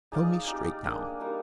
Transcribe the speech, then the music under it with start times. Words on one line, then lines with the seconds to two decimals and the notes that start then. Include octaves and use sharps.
Tell me straight, now!
0.12 D#4 G#4 D5 F5
0.47 D#4 G4 D5
0.84 A#3 D4 G#4
1.20 G3 A#3 D#4 A#4